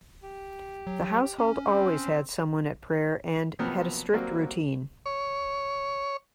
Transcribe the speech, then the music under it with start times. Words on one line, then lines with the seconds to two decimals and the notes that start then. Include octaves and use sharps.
The household always had someone at prayer and had a strict routine.
0.23 G4
0.87 F#3
1.38 C#4
1.66 C4
3.59 C3 F3 F#3 A#3 B3
4.14 F#3 G3 A#3 C4 F#4
5.06 C#5